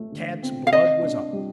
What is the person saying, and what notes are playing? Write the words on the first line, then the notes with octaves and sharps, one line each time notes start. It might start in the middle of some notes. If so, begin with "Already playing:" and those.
Tad's blood was up.
Already playing: A3
D3
C4
F5
C3 D#5
D4
G3